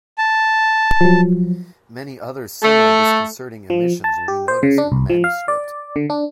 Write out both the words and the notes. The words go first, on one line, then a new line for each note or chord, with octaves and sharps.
Many other similar disconcerting omissions will be noticed in the Manuscript.
A5
F3 F#3
A3
F3
A5
G4
C5
C#3
D4
C2
F3
F5
D5
D3
D4